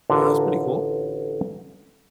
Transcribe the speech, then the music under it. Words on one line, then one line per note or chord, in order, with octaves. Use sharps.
Oh, that's pretty cool.
A1 D3 F4 A#4 B4